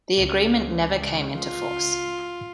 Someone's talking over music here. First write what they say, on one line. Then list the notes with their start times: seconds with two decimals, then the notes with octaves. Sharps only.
The agreement never came into force.
0.16 C#2
1.37 F4